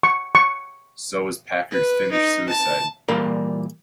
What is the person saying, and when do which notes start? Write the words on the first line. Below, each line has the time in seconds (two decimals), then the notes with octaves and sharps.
So was Packard's finish suicide.
0.03 C#6
0.35 C#6
1.70 B4
2.11 D#4
2.49 A5
3.08 A#2 E3 G3 A#4 D5 F5